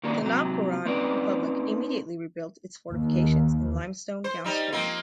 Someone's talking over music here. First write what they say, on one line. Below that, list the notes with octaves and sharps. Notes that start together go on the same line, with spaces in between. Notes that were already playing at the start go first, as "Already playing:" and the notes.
The Novgorod Republic immediately rebuilt its fortifications in limestone downstream.
D#3 G3 A#3 C#4 D4
C3 F#3
C4 C#4 D#4 B4 D5
D#2
C5
G3 D#4
F3 A#3 C4